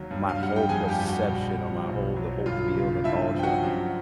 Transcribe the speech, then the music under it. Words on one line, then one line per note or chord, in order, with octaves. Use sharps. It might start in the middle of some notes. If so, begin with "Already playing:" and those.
my whole perception, or my whole the whole feel nostalgia
Already playing: D#2 F#3
G2
F5
G3 F#5
G5
F2 G#4 G#5
G4 G5
G3 G5
F#4 F#5
A#1
F3
B1
F#3
G1 F4 F5
C#3
G2 E4 E5
F3 G5
F#4 F#5
F#2